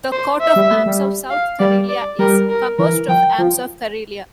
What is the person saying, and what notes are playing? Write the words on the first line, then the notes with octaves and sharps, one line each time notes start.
The coat of arms of South Karelia is composed of the arms of Karelia.
C5
E5
G3
A3
G3
F5
G3 D5
D5
G3 A#4
A#4
E3 A#4
F3 G5
F3